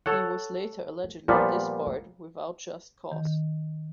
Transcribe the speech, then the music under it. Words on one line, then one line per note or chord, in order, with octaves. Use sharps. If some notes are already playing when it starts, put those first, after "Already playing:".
He was later allegedly disbarred without just cause.
A4 C#5 F#5
A#2 F3 G3 B3
D#3